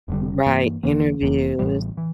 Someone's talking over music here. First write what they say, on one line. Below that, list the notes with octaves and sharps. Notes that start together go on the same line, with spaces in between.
Mm, right, interviews.
F1 F2 D3 G3
G2 E3 A#3
E1 E2 E3 A#3
F1 F2 E3 A#3
A1 A2 E3 G3
E3